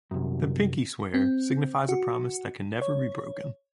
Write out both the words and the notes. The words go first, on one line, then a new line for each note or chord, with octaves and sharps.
The pinky swear signifies a promise that can never be broken.
C2 F#2
C4
F#4
C#5